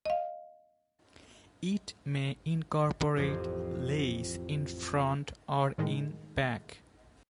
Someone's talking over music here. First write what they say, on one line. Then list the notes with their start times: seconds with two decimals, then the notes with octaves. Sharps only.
It may incorporate lace in front or in back.
0.06 D#5 F5
3.16 A1 F2 G4 C5 G#6
5.78 A2 D#3 G#3